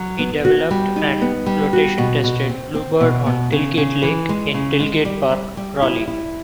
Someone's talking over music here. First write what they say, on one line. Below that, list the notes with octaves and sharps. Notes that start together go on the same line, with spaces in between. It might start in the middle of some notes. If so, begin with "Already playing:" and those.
He developed and flotation-tested Blue Bird on Tilgate Lake, in Tilgate Park, Crawley.
Already playing: F#3
B3
F#4
G3
D#4
B3
G3
F#4
B2
B2
C4
C4
B2
B2
C#3
C#3
E3
G#3
C#3
G#3
G3
G3
G3
E4
E4